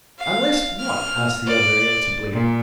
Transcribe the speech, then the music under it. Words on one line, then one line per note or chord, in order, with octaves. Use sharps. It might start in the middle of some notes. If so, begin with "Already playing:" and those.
"Unless what?" asked the other, irritably.
F5
F6
D5
A#2